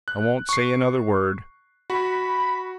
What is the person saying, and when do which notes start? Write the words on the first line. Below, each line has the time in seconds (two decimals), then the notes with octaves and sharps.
"I won't say another word."
0.08 F#6
0.49 C#6 C7
1.90 F#4 B5